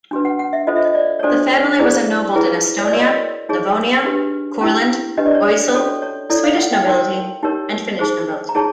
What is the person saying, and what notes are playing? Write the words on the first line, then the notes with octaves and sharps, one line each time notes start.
The family was ennobled in Estonia, Livonia, Courland, Oesel, Swedish Nobility and Finnish Nobility.
D4 F#4 B4
F#5
F#5
E5
F4 A4 C5 D#5
E5
D#5
D5
C#5
D4 F#4 A4 C5 D5
E4 G#4 C5 D5
E4 G#4 B4
C#5
D5
F#4 A#4 C#5 D#5
D#4 G#4 C#5
D4 G4 B4
C#4 E4 G4
D4 G4 B4 D#5
D5
C#5
D5
C#4 F#4 A4 C#5
C#5
E4 A4 C#5 D5
F5
F#5
G5
D#4 F#4 A#4 C#5 G5
D#4 G4 A#4 C#5
D#4 G#4 C5
A#5
D#4 G#4 C#5 A5